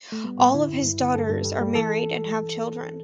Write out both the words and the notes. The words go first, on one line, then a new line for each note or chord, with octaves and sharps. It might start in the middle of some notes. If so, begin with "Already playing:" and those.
All of his daughters are married and have children.
A3
G3 B3
A2 B3
D3 E4
G2
G2
D3
G2 A4
G2
G3
G3
E3 A4